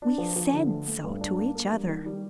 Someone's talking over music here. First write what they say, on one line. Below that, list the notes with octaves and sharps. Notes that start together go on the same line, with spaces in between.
We said so to each other.
D4
F3
F3
D3
A3
A3
G2
D4
A#3
A#3
G3
D#3
G3